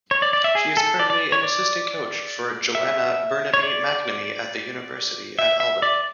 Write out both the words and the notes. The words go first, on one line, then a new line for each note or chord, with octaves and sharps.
She is currently an assistant coach for Joanna Bernabei-MacNamee at the University at Albany.
C#5
D5
D5
E5
G#4
A4
D5
D5
C#5
D5
E5
C#5
D5
E5
E5
D5